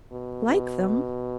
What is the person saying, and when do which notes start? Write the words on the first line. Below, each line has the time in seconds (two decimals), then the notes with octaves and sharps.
Like them!
0.11 B2
0.47 B2